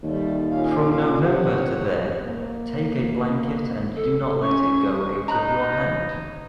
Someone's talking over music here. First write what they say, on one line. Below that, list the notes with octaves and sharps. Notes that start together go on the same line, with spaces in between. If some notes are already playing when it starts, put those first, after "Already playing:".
From November to there, take a blanket and do not let it go out of your hand.
D#2 G3 A3
A#2 C#4 F5
C3 C#5 F#5
A#3
A4
C#4 C#6
D#4 A#5 B5 F#6